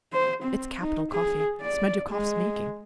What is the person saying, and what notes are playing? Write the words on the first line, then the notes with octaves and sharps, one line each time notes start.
It's capital coffee: Smerdyakov's making.
C5
C4
D#4
G#4
D5
G#3